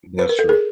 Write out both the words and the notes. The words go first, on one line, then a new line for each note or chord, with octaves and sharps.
That's true.
B4
A#4
A4
G#4 A#4